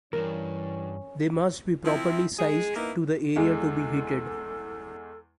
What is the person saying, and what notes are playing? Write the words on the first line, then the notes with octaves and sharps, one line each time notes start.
They must be properly sized to the area to be heated.
C#2 G2 E3 C#4 A#4
F3 C4 E4
G#3 G#4
A#3 B3 D#4 E4
E2 G#3 A4